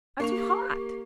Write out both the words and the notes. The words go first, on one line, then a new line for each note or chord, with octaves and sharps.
"I'm too hot."
A#3 D4 C#6 F7
G4